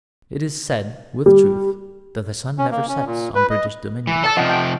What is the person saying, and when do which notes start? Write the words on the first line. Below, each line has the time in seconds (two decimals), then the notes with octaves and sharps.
It is said, with truth, that the sun never sets on British dominions.
1.26 G3
2.59 C#4
2.71 A#3
2.89 C#4
3.06 A#2
3.35 B4
3.50 D#5
4.07 E3
4.24 A4 D5 A5 E6
4.37 C3 F3 D#5 F#5 G5
4.49 G5